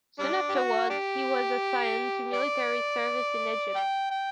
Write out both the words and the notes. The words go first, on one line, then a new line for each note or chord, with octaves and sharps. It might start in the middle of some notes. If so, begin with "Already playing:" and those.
Soon afterwards he was assigned to military service in Egypt.
G3 D4
G4
F#4
D4 G4
D5
G5
G5